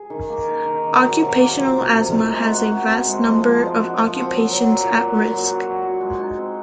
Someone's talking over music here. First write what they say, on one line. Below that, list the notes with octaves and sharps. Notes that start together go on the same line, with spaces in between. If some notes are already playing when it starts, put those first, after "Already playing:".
Occupational asthma has a vast number of occupations at risk.
Already playing: G#4
D#3
A#3
D#3
D#3
D#3
F#3
C3
A#3
F4
C3
C3
D#4
G#3
F#4
F#4
C4
G#3
F3
F3
G#3
F#4
F3
C4
F#3
F#3
A#2
A#2
F#4
F#3
F#4
F#4
F#4
G#3
D#4
C4